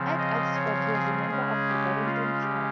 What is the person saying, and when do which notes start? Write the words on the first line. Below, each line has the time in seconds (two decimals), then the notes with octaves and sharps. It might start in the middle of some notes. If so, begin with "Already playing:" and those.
At Oxford he was a member of the Bullingdon Club.
Already playing: C#3 F3 C4
0.19 D#5
0.55 C#5
0.93 G#4
1.30 C#3 G#3 C#4
1.68 G4
2.05 F4
2.41 G4